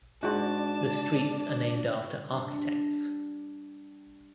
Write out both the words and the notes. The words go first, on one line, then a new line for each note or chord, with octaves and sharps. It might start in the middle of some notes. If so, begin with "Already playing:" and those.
The streets are named after architects.
G#2 D4 F#4 A5
G3 D4